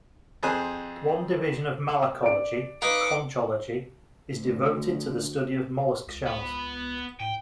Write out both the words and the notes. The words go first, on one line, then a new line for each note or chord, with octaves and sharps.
One division of malacology, conchology, is devoted to the study of mollusk shells.
F2 G#4 C5 G#5 F#6
D5 D7
D#4 B4 F5 D6 C#7
D2
C#2
B3 B5
A2 G5